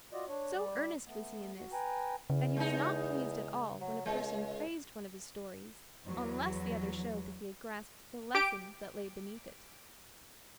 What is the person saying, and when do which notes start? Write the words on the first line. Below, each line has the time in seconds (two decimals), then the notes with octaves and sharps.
So earnest was he in this that he was not pleased at all when a person praised one of his stories, unless the other showed that he had grasped the lesson that lay beneath it.
0.13 F4 F#4 D5 D#5
0.28 D4 C#5
0.53 G3 D5
1.05 A3 B3
1.57 F#4
1.73 B4 G5 G#5 A#5
2.30 E2 C#3
2.56 G#3 D#4
3.81 F#3
4.06 C#2 G#3
6.06 E2 F#3
8.35 G4 D7